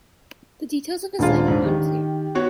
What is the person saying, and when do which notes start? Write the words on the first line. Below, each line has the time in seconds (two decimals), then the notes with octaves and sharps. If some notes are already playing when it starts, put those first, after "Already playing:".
The details of his life are unclear.
1.19 D#1 G#3 D4 F4
1.48 G#2 C#3
1.65 D#3 G4
2.35 B3 F#4 C#5